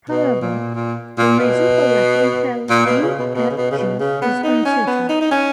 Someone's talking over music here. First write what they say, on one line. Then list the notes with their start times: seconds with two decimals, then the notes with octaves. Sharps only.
However, the reason for lacking Hell D, F, G is uncertain.
0.09 B2
0.41 A#2
0.74 A#2
1.18 A#2
1.39 B2
2.70 A#2
2.85 B2
3.02 C#3
3.19 B2
3.35 B2
3.50 C#3
3.57 B2
3.71 C#3
3.78 B2
3.99 C#3
4.22 B3
4.43 D#4
4.65 C#4
4.87 B3
5.09 D#4
5.21 D#4
5.31 C#4